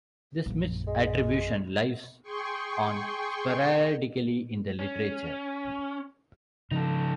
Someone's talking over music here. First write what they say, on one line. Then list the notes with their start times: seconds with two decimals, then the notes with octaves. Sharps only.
This misattribution lives on sporadically in the literature.
0.46 A#1 F#2
0.87 G#3
2.22 G#4 G5 C6 C#6
4.79 C#4
6.71 C#3 F3 D#4 A4